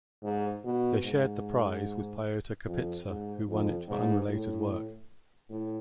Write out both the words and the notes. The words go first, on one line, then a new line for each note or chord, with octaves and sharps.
They shared the prize with Pyotr Kapitsa, who won it for unrelated work.
G#2
B2
G#2
F2
G#2
F2
G#2
A2
A2